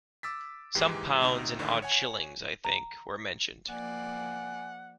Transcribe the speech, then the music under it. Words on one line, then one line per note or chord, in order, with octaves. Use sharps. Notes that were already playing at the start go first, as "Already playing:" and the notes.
Some pounds, and odd shillings, I think, were mentioned.
D6 E6 A6 B6
D#2 G#2 E3 G#3 G4 C7
D2 C3 D#4
A1 A2 D3 D#3
C#5 F#5 G#5
A#5
F3 A#3 D5 F#5 G#5